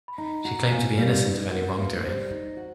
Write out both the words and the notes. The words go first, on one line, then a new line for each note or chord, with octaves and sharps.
She claimed to be innocent of any wrongdoing.
B5
D#4 A#5
F#4 A#5
A#3 G#5
G3 F5
D#4 B4
F#4 A#4
A#3 B4
G3 C5
D#4
F#4